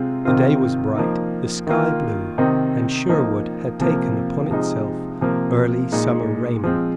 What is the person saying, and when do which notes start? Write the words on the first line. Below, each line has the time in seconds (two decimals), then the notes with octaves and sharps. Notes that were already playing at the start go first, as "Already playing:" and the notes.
The day was bright, the sky blue, and Sherwood had taken upon itself early summer raiment.
Already playing: C3 G#3 C4 F4
0.25 C3 D#3 C4 F4
0.96 F3 A#3 D#4
1.67 D#3 A#3 F4
2.38 C3 D#3 C4 D#4
3.09 F3 A#3 D#4
3.80 C3 F3 A#3
4.51 C3 F3 G#3 D#4
5.21 C3 F3 A#3
5.92 A#2 G#3 D#4
6.63 F3 G#3 C4